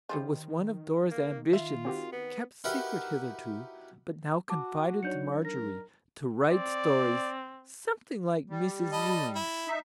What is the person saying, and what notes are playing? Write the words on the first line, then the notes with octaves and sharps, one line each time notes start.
It was one of Dora's ambitions, kept secret hitherto, but now confided to Marjorie, to write stories "something like Mrs. Ewing's."
D#3 G3 C4 F4
A#3
F4 E5
C4 F#4 G4
B3
D#4 E4 F#4 G4 A#4 B4
F#4 A5 D6
F#3 D4 D#4 C#5 G6 C#7
A#4 A#6
C4 D5
G3
D#5 A5 B5
E4
D#4 E5